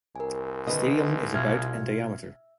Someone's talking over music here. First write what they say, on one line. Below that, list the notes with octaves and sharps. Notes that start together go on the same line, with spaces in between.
The stadium is about in diameter.
C2 A#4 G#5
D3 D#3 B4 D#5
B2 D#4 F4 E5 F6 G#6